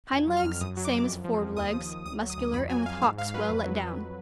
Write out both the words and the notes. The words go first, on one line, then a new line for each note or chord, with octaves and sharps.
HIND-LEGS--Same as fore-legs, muscular and with hocks well let down.
F2 G#5
F#3
F6
F2
F#2 D#6
F#3
D6
F#2
F2
F3
F2
D#2 D#6
F3
D#2
D2 D#6
F#3
D#6
D2
F2 B5
F#3 G#5
F2 F5
G#2 F5
G#2 F5
F#3 B4
F2
F#3
F2